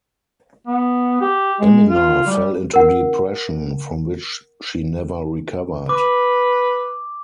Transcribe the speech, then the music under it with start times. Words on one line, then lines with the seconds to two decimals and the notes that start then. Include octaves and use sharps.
Aminah fell into depression, from which she never recovered.
0.67 B3
1.21 G4
1.60 G#3
1.89 F4
2.27 G3
2.74 A#4 F#5
5.89 B4 D6